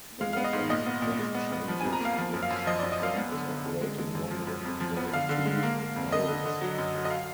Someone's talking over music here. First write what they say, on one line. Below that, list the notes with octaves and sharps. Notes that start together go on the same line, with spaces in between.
The latter just changes which cam is operating one of the two valves.
G#3 F5
B3 F5
D#5
G#2
A#2 D#5
B3
A#2
G#3
B3
B3
F3
F2 G#5
A#5
A#3 F5
F3
F#2
F5
F#2
F3 D#5
F#2 D5
D#5
F#2 F5
B3
D3
D3
D3
G#3
G#3
F#2
F3
F#2
F2
F3
B3
D3 F5
D3
G#3
A#3
A#3
F2
D3 D#5
D3
D3
F#3
F#2
F#3
D#5
F5